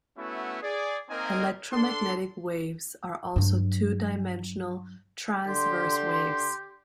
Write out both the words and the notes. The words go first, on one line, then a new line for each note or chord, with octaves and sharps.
Electromagnetic waves are also two-dimensional transverse waves.
A3 B3 C#4 E4 F#4 E5
G#4 D5
A#3 C4 D#4 A#4 D#5 G#5
D4 A4 C6
G2 F#3
D3 G4 C6